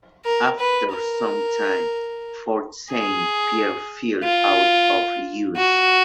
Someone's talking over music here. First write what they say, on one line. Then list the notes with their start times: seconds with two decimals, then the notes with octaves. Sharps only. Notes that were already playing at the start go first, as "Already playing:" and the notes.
After some time, Fort Saint Pierre fell out of use.
0.25 A#4
0.59 B4
0.92 A#4
2.91 G#4
4.24 F4
5.57 F#4